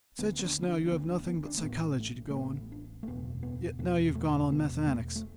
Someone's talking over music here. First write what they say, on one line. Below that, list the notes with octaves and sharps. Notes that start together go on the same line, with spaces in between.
You said just now you have nothing but psychology to go on, yet now you've gone on mathematics.
D2 D3 B3
B3
D4
B3
D4
D4
D2 D3 B3
D4
B3
D4
A3
A1 A2 B3
A3
A3
A1 A2 B3
D4
A3
F#1 E2 B2 B3
B3
F#1 E2 B2 B3
A3
E1 E2 B2 B3
A3
A3